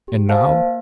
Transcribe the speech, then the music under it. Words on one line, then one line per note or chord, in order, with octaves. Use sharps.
"And now?"
G4
C5 F5 A5
A#3